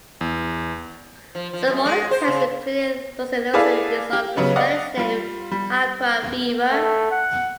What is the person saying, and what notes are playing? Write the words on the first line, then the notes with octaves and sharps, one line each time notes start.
Some older texts, including those illustrated in this article, spell his name "Aquaviva".
E2
F3
F3
F#2
G#3
C5
C#3
E4 G#4 A4 B4 D5 F5
G4
C#3 F#3 B3 C#4
D5 D#5 F5 F#5
G3 F4
G3
A3
F#5